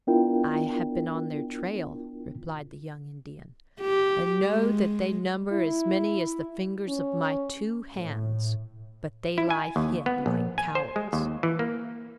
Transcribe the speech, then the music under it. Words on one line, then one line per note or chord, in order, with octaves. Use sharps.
"I have been on their trail," replied the young Indian, "and know that they number as many as the fingers of my two hands; but they lie hid like cowards."
B3 D4 E4 F4 A#4 G5
G4
G#3
E4
C#4
A2
E4
G#5
D#2
B3
A#1
G#5
C5
G#3
D#2
E3
A#3